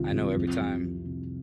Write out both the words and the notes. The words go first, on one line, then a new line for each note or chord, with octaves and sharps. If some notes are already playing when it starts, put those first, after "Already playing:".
I know every time
Already playing: C2 C3 D#3 F4
C2
F2
F2
F2
C3